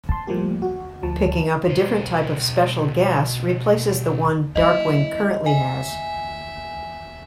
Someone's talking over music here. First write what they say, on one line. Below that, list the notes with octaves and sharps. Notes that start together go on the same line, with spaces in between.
Picking up a different type of special gas replaces the one Darkwing currently has.
A5 C6
A2 F3 G3 A#3 G4
F#4
D2 F3 A5
B1 C5
F#3 A#3 E4 D#5
E5 G#5